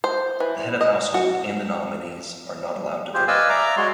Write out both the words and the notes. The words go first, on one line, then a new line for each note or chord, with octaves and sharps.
The Head of Household and the nominees are not allowed to vote.
C5
E3
D#5
F#4
F4 G4 G#4 C5
B4 D5 D#5 F5 G#5 E6
D5 E5 A#5 D6
G#3 F#4 C#5 C6